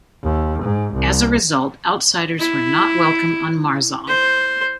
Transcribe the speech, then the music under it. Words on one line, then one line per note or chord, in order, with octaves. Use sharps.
As a result, outsiders were not welcome on Marzal.
D#2
G#2
C2
E4
C5